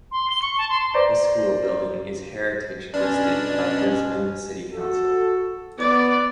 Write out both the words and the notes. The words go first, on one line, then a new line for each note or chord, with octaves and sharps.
This school building is heritage listed by Brisbane City Council.
C6
G7
C#6
A5
C6
B4 C5 D5 A#5
B2 G#3 C#4 D4
F#4 A4
B3 D5